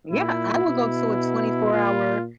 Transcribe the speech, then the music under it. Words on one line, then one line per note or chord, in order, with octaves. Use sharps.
Yeah, I will go to a twenty-four-hour,
A#2 E4
B2
A#2 F4